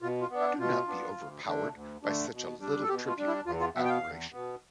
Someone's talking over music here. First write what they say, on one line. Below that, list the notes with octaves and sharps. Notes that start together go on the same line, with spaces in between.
Do not be overpowered by such a little tribute of admiration.
B2 F4
F4
B3 D4
E4
B2 F4
B3 D4
D2
D3 A3 D4
D2
D3 A3 D4
B2
G3 D4
A4
B2 G4
F4
G3 D4
E4
E2 F4
F4
B2 B3 E5
G5
F5
E2
B2 B3